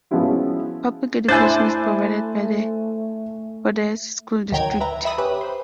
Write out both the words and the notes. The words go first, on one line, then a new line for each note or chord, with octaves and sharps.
Public education is provided by the Fordyce School District.
F3 G#3 B3 C#4 E4 F#4
A3 D4 E4 C5 E5 G#5 F#6 A6
D2 D#3 F#3 G5 A#5 G#6
B4 E5 A#5
E5 B5 D#6
C#4 G4 B4
C5